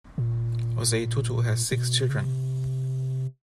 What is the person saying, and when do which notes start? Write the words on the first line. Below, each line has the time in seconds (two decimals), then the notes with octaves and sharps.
Osei Tutu has six children.
0.18 A#2
1.72 A#2
1.79 B2
2.09 C#3
2.19 C3